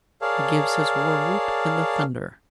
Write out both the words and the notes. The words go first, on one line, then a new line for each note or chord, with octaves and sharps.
He gives his war-whoop in the thunder.
G#4 A#4 C#5 D5 F5 A5